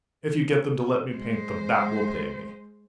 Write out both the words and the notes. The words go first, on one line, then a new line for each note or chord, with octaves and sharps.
If you get them to let me paint them, that will pay me.
G#3 C5